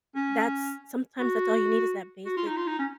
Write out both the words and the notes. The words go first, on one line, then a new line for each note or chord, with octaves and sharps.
that's sometimes that's all you need is that basic
C#4
F#4
F#4
F4
D#4
F4
D#4
C#4